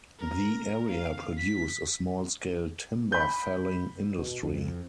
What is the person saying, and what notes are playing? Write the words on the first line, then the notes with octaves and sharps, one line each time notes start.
The area produced a small scale timber felling industry.
A#4
F5
B6
B5 G6
B2
F2